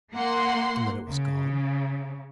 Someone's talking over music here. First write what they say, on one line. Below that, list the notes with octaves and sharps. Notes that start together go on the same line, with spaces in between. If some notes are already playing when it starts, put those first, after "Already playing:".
'And then it was gone?'
A#3 F#5 C6
C#3